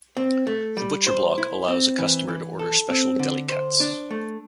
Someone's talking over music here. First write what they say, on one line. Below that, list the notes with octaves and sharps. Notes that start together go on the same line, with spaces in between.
The Butcher Block allows a customer to order special deli cuts.
C4
A3
G3
C5
E4
C4
E3
E3
A4
C4
D3
C5
D4
A3